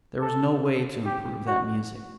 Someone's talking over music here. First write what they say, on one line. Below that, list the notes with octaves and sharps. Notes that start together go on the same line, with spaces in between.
There was no way to improve that music.
A4
G4
F#4